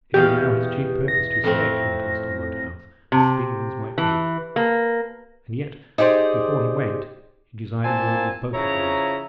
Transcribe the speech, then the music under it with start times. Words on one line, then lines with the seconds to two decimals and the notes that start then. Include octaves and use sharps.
It was now his chief purpose to escape from Tunstall Moat House as speedily as might be; and yet, before he went, he desired a word with both of these.
0.14 E2 B2 G4 F5
1.08 A#6
1.44 F2 A2 C4
3.12 C3
3.98 E3
4.56 A#3
5.98 D#4 G4 G#4 C5 D5
7.84 A#2 A#3 C4 G#5 A5
8.54 C#3 F3 E4 C#5 A#5